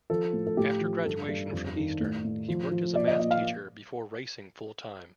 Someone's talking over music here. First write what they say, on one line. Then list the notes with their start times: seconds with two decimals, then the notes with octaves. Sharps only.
After graduation from Eastern, he worked as a math teacher before racing full-time.
0.10 F3 A4
0.33 A2
0.47 A4
0.57 A2 G4
0.81 F3
1.05 G2 A4
1.28 G2
1.52 F2
1.76 D#3
2.00 A2
2.24 A2
2.48 F3
2.71 F3
2.95 A#2 D5
3.07 D#5
3.19 A#2 D#5
3.31 F5